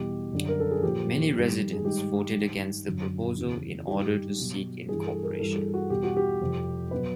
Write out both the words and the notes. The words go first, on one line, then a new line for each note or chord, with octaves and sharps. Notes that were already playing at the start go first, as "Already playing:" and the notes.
Many residents voted against the proposal in order to seek incorporation.
Already playing: E2 B2 G3 G4
F#2 D3 G3
A#4
A4
G#4
A#2 F3 G4
G2 D#3 G3
G#4
G#2 D#3 G3 G4
G2 D#3 G3
F#2 D3 F#3
E2 C#3 F#3
G2 D#3 G3 G4
B2 F#3
G2 E3 G3 G#4
A4
A#4
G2 E3 G3 A4
G#4
F#4
E2 B2 G3 G4
F#4
G4
F2 C3 F3
B2 F#3 B4